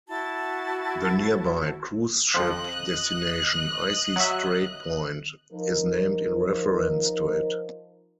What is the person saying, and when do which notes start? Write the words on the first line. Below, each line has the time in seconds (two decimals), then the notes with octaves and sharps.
The nearby cruise ship destination Icy Strait Point is named in reference to it.
0.08 E4 F#4 A5
2.34 F2 F3 D#5 F#6
4.16 F#3 E5
5.52 F3 D#4 A#4